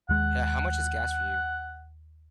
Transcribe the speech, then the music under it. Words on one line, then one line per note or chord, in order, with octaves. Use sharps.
Ho how much is gas for you?
D#2 G#3 F#5